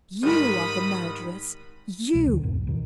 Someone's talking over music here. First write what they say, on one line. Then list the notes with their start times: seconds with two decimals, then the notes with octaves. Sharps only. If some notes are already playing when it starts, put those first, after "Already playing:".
You are the murderess--you!
0.23 G#2 D#3 G3 B5 D#6
2.14 F1 C2 B2 G3
2.26 D#2 D3 F#3 B3
2.43 C2 F2 A2 C3
2.55 C2
2.67 E2 B2 D#3